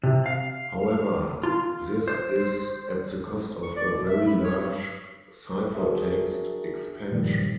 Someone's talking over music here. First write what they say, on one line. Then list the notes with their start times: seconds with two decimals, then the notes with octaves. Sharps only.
However, this is at the cost of a very large ciphertext expansion.
0.03 C3
0.26 F5
1.43 F4
2.08 C5
3.63 C#6
3.76 D5
3.90 B2
4.09 E5
4.27 B5
4.44 C#5
4.58 G2
5.75 D4 F#4 G#4 A#4 E5
7.11 G2 A#2 D#3 F3 G3